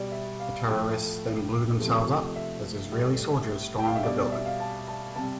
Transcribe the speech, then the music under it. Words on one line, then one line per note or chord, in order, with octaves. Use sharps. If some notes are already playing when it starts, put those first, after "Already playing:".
The terrorists then blew themselves up as Israeli soldiers stormed the building.
Already playing: B2 G3 D5
E5
F5
A2 F3 A3 G5
C3 F3 A3
E5
A2 G3
G5
F5
E5
B2 G3 D5
D5
E5
F5
A5
A5
C3 G3 A5